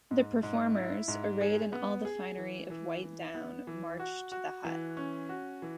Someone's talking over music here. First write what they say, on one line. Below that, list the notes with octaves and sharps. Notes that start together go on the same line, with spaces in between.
The performers, arrayed in all the finery of white down, march to the hut.
G#2
G#2
E4
G#2
G#4
B3
G#4
E3
E3
E3
B3
E3
F#4
F#4
E3
C#4
F#4
E3